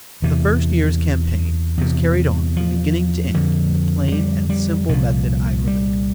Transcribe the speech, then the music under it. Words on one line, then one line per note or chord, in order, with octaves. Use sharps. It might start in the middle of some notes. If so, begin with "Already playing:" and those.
The first year's campaign was carried on from beginning to end, in the plain and simple method I've related.
E2 C3 E3
E2 C3
F3
F2 D3
F3
G3
G3
C2 A#2 F3
G3